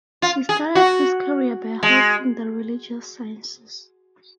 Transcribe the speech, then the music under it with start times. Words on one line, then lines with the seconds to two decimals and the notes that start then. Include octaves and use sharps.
He started his career by helping the religious sciences.
0.22 F4
0.49 G#4
0.75 F#4
1.83 G#3